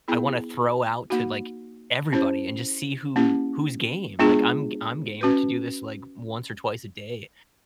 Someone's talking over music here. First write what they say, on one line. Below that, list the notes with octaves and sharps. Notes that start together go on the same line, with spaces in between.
I wanna throw out to, like, everybody and just see who who's game. Like, I'm g I'm game to do this, like, once or twice a day,
B3 E4 G#4
A#3 D#4 F#4
C#4 E4 G4 C5
A#3 C#4 E4 G4
G#3 B3 D4 F4 G#4
C#4 F#4 B4